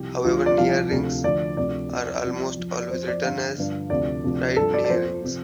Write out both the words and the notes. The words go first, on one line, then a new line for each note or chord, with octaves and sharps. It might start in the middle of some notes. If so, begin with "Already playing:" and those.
However, near-rings are almost always written as right near-rings.
Already playing: C2 C3 F3 G4
D2 D3 F3 F4
F4
D5
C2 C3 F3 F5
D2 C3 F3
D2 D3 F3 D5
D2 C3 F3 D5
F2 F3
C2 C3 F3
F2 F3
D5
F2 F3 C5
D5
G2 D3 F3 F5
G2 D3 F3
D2 C3 F3 D5
D2 C3 F3
G2 F3 A4
D5
D5
F2 F3 C5
C3 F3